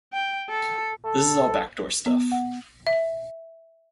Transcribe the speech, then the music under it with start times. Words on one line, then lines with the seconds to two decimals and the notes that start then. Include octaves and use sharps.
This is all back door stuff.
0.13 G5
0.50 A4
1.04 A4
2.06 B3
2.32 F#5
2.87 E5